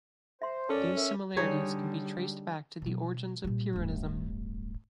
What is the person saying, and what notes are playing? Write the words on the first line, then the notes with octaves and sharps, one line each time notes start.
These similarities can be traced back to the origins of Pyrrhonism.
C5 E5 C6
F#2 C#4 A4 A#4 D5 A5
A#4 C#5 E5
D3 G3 D#4 G#4 C#5
B2 F#3
A#2 G3
D1 G1